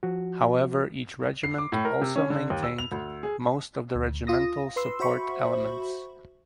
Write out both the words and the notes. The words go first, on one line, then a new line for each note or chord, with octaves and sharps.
However each regiment also maintained most of the regimental support elements.
F3 F#4
C7
D6
A2
A#4
C3
C#4
D3
D#2
E6
F7
D2
G#4
D2
F4 D#6 A#6
B4 C6 E6
F#4 C5 E5 B5 C#6